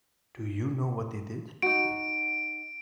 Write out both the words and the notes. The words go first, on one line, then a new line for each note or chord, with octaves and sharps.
Do you know what they did?
D#4 F#4 D7